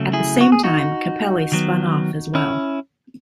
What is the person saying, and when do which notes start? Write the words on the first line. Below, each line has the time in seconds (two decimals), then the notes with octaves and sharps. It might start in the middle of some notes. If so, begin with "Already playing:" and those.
At the same time, Capelli spun off as well.
Already playing: C#3 F#3 A3
0.13 E4 G#4
0.41 F#4
0.52 G#4
0.64 D#4 F#4
1.52 D#3 F#3 B3
2.35 C#4 E4